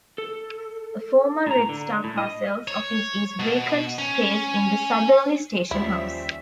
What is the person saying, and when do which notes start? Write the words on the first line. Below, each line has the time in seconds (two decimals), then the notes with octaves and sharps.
A former Red Star Parcels office is vacant space in the southerly station house.
0.18 A4
1.46 A2 A#5
1.69 D3
2.04 A2
2.18 D#5
2.68 C#5
3.39 B2
3.99 C#4
5.71 D#2 C#3 F3 G3 E4 C5 E5